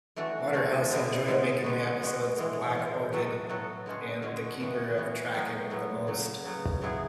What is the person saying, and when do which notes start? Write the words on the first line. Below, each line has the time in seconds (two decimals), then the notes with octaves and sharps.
Waterhouse enjoyed making the episodes 'Black Orchid' and 'The Keeper of Traken' the most.
0.16 E3 A3 D4 F#4
0.53 E3 A3 D4 F#4
0.90 D3 G#3 B3 E4
1.27 D3 G#3 B3 E4
1.64 G#3 B3 F#4
2.02 G#3 B3 F#4
2.36 A2 E3 G#3
2.75 A2 E3 G#3
3.12 A2 F#3 B3 F#4 A4
3.49 A2 F#3 B3 F#4 A4
3.86 D3 G#3 C#4 F#4
4.22 D3 G#3 C#4 F#4
4.60 E3 B3 F#4
4.97 E3 B3 F#4
5.34 A2 F#3 B3
5.70 A2 F#3 B3
6.07 C#3 F#3 B3
6.44 C#3 F#3 B3
6.81 C#3 F#3 B3 E4 G#4